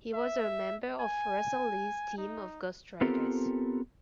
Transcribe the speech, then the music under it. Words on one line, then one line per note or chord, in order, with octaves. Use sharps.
He was a member of Russell Lee's team of ghost writers.
E5
G#5
D#4
B3 C4 F4 G4 A4 A#4